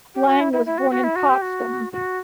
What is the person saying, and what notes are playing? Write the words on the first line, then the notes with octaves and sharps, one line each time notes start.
Lange was born in Potsdam.
G4
F#4
E4
E4
E4
F#4
F#4
E4
F#4
G4
F#4
F#4